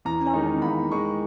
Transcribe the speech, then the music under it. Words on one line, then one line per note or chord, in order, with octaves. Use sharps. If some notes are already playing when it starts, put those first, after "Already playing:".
Law no.
E2 A#5
D#3 G#3 D#4
E2 B5
D#3 G#3 D#4 C#6